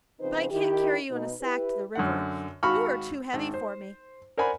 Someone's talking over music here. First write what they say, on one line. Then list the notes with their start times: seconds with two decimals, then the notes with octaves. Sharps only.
'But I can't carry you in a sack to the river; you are too heavy for me!
0.20 C#3 F3 C4 D#4 B4 C5
0.51 D#3 E4 G4
1.10 B2 D#4
1.41 E4 G4 B4
1.95 F#2 D3 F#5
2.63 G#1 F#4 F5 B5 C#6 F6
3.33 G#1
3.54 C5
4.38 A#4 C5 D5 F#5 G#5 B5